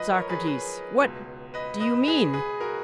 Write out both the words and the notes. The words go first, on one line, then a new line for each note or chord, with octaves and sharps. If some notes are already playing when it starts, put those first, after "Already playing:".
SOCRATES: What do you mean?
Already playing: G#1 F#2 F3 B4 D#5
A#4 C#5
G#4 B4
G#4 B4
C#2 B2
B4 D#5
B4 D#5
G#4 B4
G#4 B4
F#4 A#4